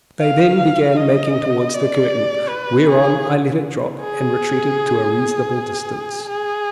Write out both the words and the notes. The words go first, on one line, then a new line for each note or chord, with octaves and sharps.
They then began making towards the curtain; whereon I let it drop and retreated to a reasonable distance.
F5
D#5
D5
B4
G#4
G#4
G#4